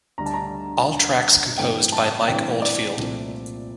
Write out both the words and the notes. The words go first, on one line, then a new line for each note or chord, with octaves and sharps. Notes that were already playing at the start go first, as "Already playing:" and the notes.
All tracks composed by Mike Oldfield.
D2 D3 G3 A#5
A5
A#5
D2 D3 G3
G2 E3 A3 C4 G5
A5
G2 E3 A3 C4 G5
D5
C2 A#2 F3 A3 C4